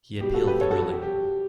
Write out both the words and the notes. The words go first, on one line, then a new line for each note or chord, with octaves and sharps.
He appealed the ruling.
B2 G3 G4
F#4 A4
G4 B4
A4 C#5
F#4 A4
F#4
G4
G4